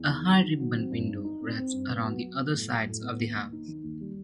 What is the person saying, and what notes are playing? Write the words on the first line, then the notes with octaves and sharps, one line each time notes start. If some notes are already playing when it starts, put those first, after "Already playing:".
A high ribbon window wraps around the other sides of the house.
Already playing: E2
D#3
F#3
D#3
F#3
C4
G2
D#4
D#4
C4
C4
G2
B3
F#3
F#3
B3
A2
F#3
A2
B3
D#2
D#2
D#4
D#3
D#2
G3